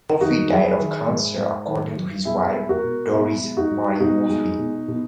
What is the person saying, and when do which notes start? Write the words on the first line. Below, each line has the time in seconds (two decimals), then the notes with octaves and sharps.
Murphy died of cancer, according to his wife, Doris Maher Murphy.
0.21 D#3 D#4 F#4
0.50 F#3 E4 G#4
0.80 D#3
1.09 G#2
1.38 G#2
1.67 D#3
1.96 F#3
2.25 B2 E4 G#4
2.54 G#3
2.69 F#4 A#4
2.84 B2
3.13 B2 E4
3.43 G#3
3.57 D#4 F#4
3.71 G#3
4.00 B2 D#4 F#4
4.30 G#3
4.59 B2
4.88 B2